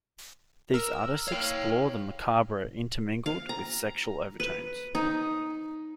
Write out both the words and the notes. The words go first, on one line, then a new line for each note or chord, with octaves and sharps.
These artists explore the macabre intermingled with sexual overtones.
A#4 E6
C#5 F5 G5
F5
A#5
B4
D#4